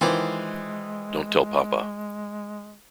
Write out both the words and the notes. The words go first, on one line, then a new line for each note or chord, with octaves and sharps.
Don’t tell papa.
D#3 E3 G#3 F4 C5 D5